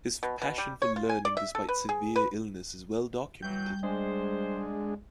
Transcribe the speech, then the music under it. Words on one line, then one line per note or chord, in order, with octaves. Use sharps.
His passion for learning despite severe illness is well documented.
B2
B2
G3
C#5
F4
G#5
D5
E5
A4
B4
G#4
B4
E3 F#3 G3 G6
G#3 D4 G#4 C5